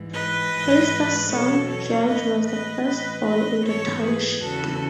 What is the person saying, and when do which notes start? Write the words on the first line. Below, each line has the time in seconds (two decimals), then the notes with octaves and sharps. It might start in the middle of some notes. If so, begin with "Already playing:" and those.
Heister's son, George, was the first born in the Township.
Already playing: G#2 E3
0.13 B4 D#5
0.52 G#2 E3
1.30 E2 B2 F#3 A4 C#5
1.69 A4 C#5
2.08 A2 E3 B4 D#5
2.47 B4 D#5
2.86 A2 E3 B4 D#5
3.25 B4 D#5
3.64 G#2 E3 A4 C#5
4.04 G#4 B4
4.42 E2 C#3 E3 F#4 A4